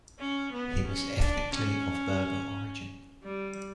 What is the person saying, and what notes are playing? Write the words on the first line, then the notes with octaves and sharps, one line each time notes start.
He was ethnically of Berber origin.
C#4
B3
C#4
D4
C#4
G3